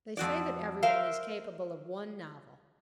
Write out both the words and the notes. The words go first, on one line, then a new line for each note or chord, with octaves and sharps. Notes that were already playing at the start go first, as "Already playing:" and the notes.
They say that everyone is capable of one novel.
F2 F#4 D5
A#4 C5 E5 F5